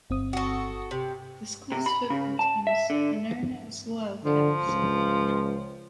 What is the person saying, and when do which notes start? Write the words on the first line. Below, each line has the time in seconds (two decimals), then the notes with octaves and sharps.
The school's football teams are known as the "Wildcats".
0.10 G1 C4 D#6
0.33 F#4 A4
0.91 C3
1.72 C3
1.86 B5
2.10 C#3
2.39 A5
2.67 E5
2.90 D3
4.25 D3 F3
4.61 C#2